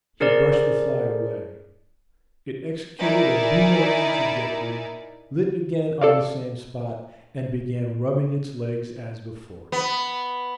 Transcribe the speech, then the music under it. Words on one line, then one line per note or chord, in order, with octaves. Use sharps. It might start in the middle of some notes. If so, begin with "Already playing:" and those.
He brushed the fly away. It executed a boomerang trajectory, lit again on the same spot, and began rubbing its legs as before.
D4 G#4 A#4 C5 D5
D#4 E4 A#4 D5 E5 G#5
A4 D5 F5
B3